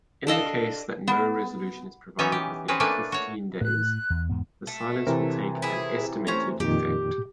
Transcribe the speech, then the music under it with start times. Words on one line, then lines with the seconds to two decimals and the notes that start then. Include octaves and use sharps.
In the case that no resolution is provided within fifteen days, the silence will take an estimated effect.
0.27 D4 A4 D#5 F5
1.07 B3
2.19 E3 B3 C#4 D#4 E5
2.32 G4
2.68 C4 C#4 G#4 B4
2.80 A3 A#3 D4 B4 G#5
3.12 F#4 C#5
3.61 A2 F#6
4.10 E2
4.29 E2 G#2 B3
4.67 A3
5.07 C3 E3 A#4
5.62 E4 G#4
6.27 A3 C#4 C5 A#5
6.60 F2 A#2 D#3 G4